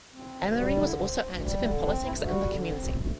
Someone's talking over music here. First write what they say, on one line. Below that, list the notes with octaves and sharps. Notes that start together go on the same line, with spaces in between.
Emory was also active in politics and the community.
C4
D2
G3 F#4
D3
E4
C4
D2
G3
D3 E4
C4 D4
D2 E4
G3 F#4
D3
C4
D2